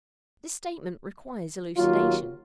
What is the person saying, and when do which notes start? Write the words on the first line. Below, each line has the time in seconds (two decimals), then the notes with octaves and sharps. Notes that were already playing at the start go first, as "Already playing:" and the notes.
This statement requires elucidation.
1.78 D#2 F#3 F4